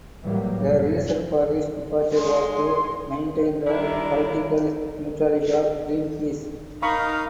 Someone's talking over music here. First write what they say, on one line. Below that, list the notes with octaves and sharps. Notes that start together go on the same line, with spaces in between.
The reason for his departure was to maintain the political neutrality of Greenpeace.
A2 E3 F#3 G3 A#3
C2 F#2
G#3 C6
D#3 G3 D4 E4 A#4
D#4 A#4 F5 A#5 B5 C#6